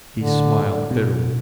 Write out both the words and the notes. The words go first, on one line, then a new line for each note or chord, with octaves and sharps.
He smiled bitterly.
A2 D3
B2